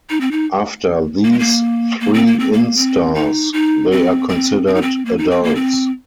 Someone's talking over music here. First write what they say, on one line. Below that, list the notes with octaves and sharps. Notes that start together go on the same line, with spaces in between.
After these three instars, they are considered adults.
D#4
C4
D#4
A#3
G#3
A#3
A#3
C4
A#3
C4
A#3
C4
D#4
D#4
C4
C4
C4
D#4
C4
A#3
D#4
C4
A#3
C4